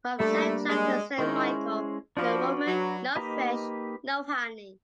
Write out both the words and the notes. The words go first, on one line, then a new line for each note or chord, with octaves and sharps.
From Saint John to Saint Michael, no woman, no fish, no honey.
G3 A3 A#3 D4
G#3
D#3 G#3 C#4 E4 G#4 C5
F3 D4 F#4 B4 D5
F#3
A#3 D#4 G4 B4 D#5